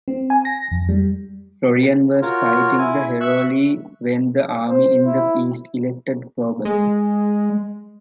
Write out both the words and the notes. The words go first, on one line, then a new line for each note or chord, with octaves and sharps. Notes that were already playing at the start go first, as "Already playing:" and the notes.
Florian was fighting the Heruli when the army in the East elected Probus.
C4
G#5
A#6
F2
G3
F4 F#4 A#4 C#5
E4 G#5
E5 C#6 E6 F#6
C5
E4
G#3